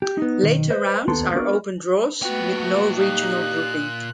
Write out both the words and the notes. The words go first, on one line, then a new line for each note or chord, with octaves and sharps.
Later rounds are open draws with no regional grouping.
G4
B3 D#4
B1 D#3
B4 C5 D#5 E5
D#2 A#3 B3 A4 C6
A#3 B3 D4 F#4 G#4 A#4
A#2 A3 B3 F#4 G5
D#4 G4 F5 F#6